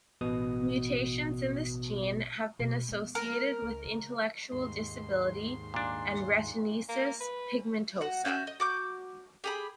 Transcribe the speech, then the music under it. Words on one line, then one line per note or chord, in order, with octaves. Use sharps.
Mutations in this gene have been associated with intellectual disability and retinitis pigmentosa.
A1 B2 D#6
B2
G#3 B3
A#4
C#2
C#3
D#2 G#2 C6
A#2 D4
A#3
B4
F#4 F#5
C#4 F#4 E5 G6
D#5
F#4 D6 G6
G4 G#4 B5